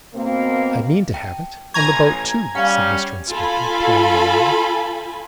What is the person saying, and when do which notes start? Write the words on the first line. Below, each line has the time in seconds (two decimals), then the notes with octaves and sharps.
'I mean to have it, and the boat too,' said Mr Inspector, playing the line.
0.14 B2 A#3 C4
1.14 G5 A5
1.74 A1 G#5 A#5 C#6 G#6
2.55 G3 C#4 F5 F#5
3.30 F4 A4 G#5 B5